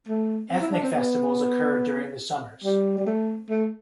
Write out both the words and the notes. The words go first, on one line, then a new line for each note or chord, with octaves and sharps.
Ethnic festivals occurred during the summers.
A3
C4
E4
D4
C4
B3
G3
G3
A3
A3